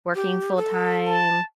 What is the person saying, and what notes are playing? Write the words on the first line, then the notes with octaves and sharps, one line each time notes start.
working full time
G4
A4
A5